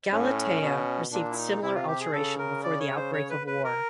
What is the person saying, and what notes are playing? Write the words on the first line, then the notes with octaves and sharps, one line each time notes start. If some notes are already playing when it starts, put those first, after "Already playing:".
"Galatea" received similar alteration before the outbreak of war.
A2 C#4
B2
A#2 D4
E4
D#4
C3 E4
F4
G4
G#4
C#3 A4
A#4
D5
C#5
C5
C#5
B4
B4
A#4